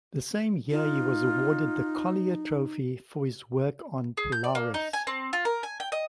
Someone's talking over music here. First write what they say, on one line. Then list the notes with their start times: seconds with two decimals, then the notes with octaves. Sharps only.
The same year he was awarded the Collier Trophy for his work on Polaris.
0.71 D#4 F4
4.17 G#4
4.32 G6
4.44 D5
4.55 A#3
4.74 D#4
4.93 G#5
5.07 C4
5.33 F4
5.45 A#4
5.63 G#5
5.80 G5
5.92 D#5